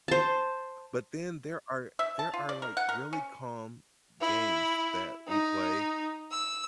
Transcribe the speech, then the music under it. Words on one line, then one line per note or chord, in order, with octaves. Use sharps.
But then there are there are like, really calm games that we play
C5 A5
E5
A5
F4
D5
A#4
F#5
A#4
C#4
E4
D#4
E6